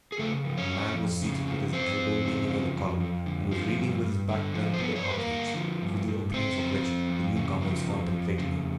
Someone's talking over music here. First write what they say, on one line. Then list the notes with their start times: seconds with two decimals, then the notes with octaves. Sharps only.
A man was seated with his elbow leaning on the column, and was reading with his back turned to the arcades, through the openings of which the new-comers contemplated him.
0.12 G#4
0.19 C#3 A3 A4
0.45 F3
0.58 C#4 C#5
0.71 F2
0.96 F2
1.22 C#3
1.47 F3
1.73 F2 C4 C5
1.98 F2
2.24 C#3
2.50 F3
2.75 F2
3.00 F2
3.26 D3
3.52 F3
3.77 G2
4.03 G2
4.29 D3
4.54 F3
4.74 C5
4.80 G2 B3 B4
4.96 C#5
5.03 G2 C5
5.11 B4
5.18 A#3 A#4
5.31 D3
5.57 F3
5.82 G2
6.08 G2
6.33 C#3 C4 C5
6.59 F3
6.84 F2
7.10 F2
7.36 C#3
7.61 F3
7.86 F2
8.12 F2
8.38 C#3